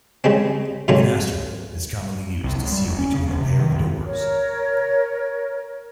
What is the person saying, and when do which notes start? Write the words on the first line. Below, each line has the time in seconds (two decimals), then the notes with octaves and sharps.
An astragal is commonly used to seal between a pair of doors.
0.24 C#3 G3 G#3 C4
0.88 G#2 C3 F#3 G#3 A3
2.43 C2
2.58 C#2
2.72 G3
2.84 F#1
2.98 C#4
3.14 C#3
3.26 E1
3.41 C3
3.60 D#3
3.72 C2
4.07 A#4 C#5